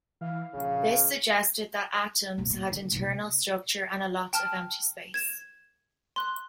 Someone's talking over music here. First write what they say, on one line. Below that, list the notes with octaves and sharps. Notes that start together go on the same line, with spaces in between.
This suggested that atoms had internal structure and a lot of empty space.
E3 F5
A#1 C#3
D1 B1
A#2
D3
C2 A#2
G5 A5 F6
G#6 E7
C6 F#6